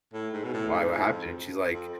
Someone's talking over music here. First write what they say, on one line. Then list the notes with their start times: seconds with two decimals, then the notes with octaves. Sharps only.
why, what happened?" and she's like,
0.13 A2
0.34 G#2
0.44 B2
0.54 A2
0.74 G#2
0.92 F2
1.73 F2